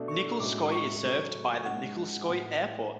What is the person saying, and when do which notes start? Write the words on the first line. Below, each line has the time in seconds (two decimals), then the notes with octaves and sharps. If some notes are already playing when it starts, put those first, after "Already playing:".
Nikolskoye is served by the Nikolskoye Airport.
Already playing: B2 A3 D4 F#4 A4
0.08 C#6
0.40 A2 G#3 C#4 F#4 D6
0.72 C#6
1.03 C#3 F#3 C#4 F#4 A4
1.65 G#2 G#3 C#4 F#5
2.27 A2 E3 B3